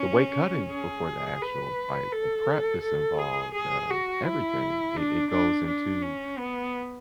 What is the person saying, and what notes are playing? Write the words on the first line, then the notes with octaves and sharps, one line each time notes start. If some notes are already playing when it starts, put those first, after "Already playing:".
the weight cutting before the actual fight, the prep that's involved, um, everything, it it goes into
Already playing: C#4
G#4
B4
A4
A4
G#4
G#4
F#4
E4
D4
D4
D4
C#4
B3